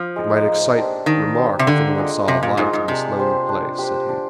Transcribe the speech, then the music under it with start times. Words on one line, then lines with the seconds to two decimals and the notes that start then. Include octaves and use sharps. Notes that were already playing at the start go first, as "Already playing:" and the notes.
"It might excite remark if anyone saw a light in this lonely place," said he.
Already playing: F3
0.16 G#3 D#4 G#4
0.47 A#3
0.77 D4 G4 C5
1.06 D#3 A#3
1.37 D4 G4 C5
1.59 C3
1.67 D3 A#3
1.98 F4 G#4 D#5
2.28 C3 A#3
2.43 A#2
2.57 G#2 F4 G#4 D#5
2.73 G#2
2.88 C3 D4
3.19 G4 C5
3.49 D4
3.78 G4 C5
4.09 D4